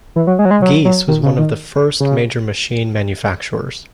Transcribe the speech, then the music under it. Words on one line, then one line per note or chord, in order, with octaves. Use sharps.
Giesse was one of the first major machine manufacturers.
E3
F#3
G#3
F#3
G#3
F#3
F#3
D#3
C#3
D#3
C#3